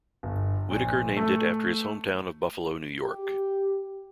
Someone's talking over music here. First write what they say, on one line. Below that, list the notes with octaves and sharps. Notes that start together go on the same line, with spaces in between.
Whittacker named it after his hometown of Buffalo, New York.
G1
A#1
A3
G4